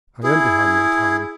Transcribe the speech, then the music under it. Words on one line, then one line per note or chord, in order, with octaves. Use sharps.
"I am behind my time."
E4 G#4